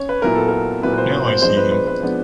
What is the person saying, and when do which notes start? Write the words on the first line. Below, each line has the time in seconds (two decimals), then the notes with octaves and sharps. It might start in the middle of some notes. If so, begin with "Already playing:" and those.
Now I see him.
Already playing: C#4 C#5
0.09 B4
0.22 A#2 F#3 B3 E4 A#4
0.35 A4
0.48 A#4
0.82 A#2 F#3 B3 E4 B4
0.94 B4
0.98 C5
1.13 C5
1.27 C5
1.42 F3 G#3 B3 D4 C5
1.57 B4
1.71 B4
1.87 B4
2.01 F3 G#3 B3 D4